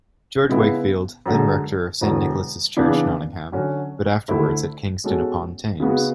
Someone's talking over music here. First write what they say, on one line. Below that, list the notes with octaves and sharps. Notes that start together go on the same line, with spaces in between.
George Wakefield, then rector of Saint Nicholas' Church, Nottingham but afterwards at Kingston-upon-Thames.
C#3 G#3 B3 E4
F#2 D3 G#3
E1 E2 D3
C#3 E3 B3 D4
D3 F#3 C#4 F#4
D2 D3 A3 E4
B2 G#3 C#4 F#4 A4
C#3 G#3 B3 F#4